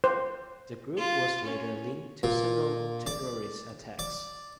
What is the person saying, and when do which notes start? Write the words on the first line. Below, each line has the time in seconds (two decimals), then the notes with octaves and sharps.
The group was later linked to several terrorist attacks.
0.04 C5
0.97 F4
1.45 C#4
2.23 A#2
3.07 D5
3.99 D5